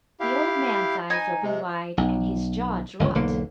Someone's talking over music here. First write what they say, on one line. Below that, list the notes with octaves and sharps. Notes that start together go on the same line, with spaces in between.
The old man's eyes opened wide, and his jaw dropped.
E4 G4 F5
D#4 G#5
C3 G#3
B1
G1 C#2
E1 B1 D3 A#3